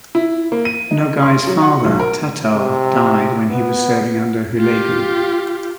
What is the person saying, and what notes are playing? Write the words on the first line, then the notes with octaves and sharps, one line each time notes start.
Nogai's father Tatar died when he was serving under Hulegu.
E4
A#3
D#7
D#4
C6
F#3
F#5
B1
A#4
C3
B3
F4 G4